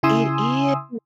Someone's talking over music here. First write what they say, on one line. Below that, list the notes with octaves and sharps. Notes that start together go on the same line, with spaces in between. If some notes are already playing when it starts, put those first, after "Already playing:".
It is.
C#3 E4 G#5 C6 D#6 E6